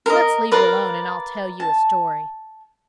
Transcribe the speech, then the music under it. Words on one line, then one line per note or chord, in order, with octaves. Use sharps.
Let's leave it alone and I'll tell you a story.
A#4 D#5
A#4 B4 D5 F5
A5